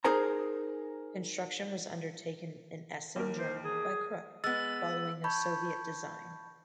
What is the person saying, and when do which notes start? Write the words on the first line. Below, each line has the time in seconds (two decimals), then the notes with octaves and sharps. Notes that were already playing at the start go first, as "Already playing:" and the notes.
Construction was undertaken in Essen, Germany by Krupp, following a Soviet design.
0.04 D#4 G#4 A#4 C5 A#5
3.16 D#2 A#4
3.38 C5
3.64 G#4
4.44 G#3 B3 E6 A6
5.24 A5 B5 C#6 G6 G#6